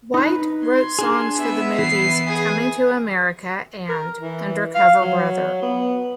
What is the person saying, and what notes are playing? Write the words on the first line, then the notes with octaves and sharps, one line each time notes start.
White wrote songs for the movies "Coming to America" and "Undercover Brother".
D#4 B4
C6 G#6
D4 G#4
B3 E4 E5
E3 C7
G#4
A#4
E3
F5
F#3
B3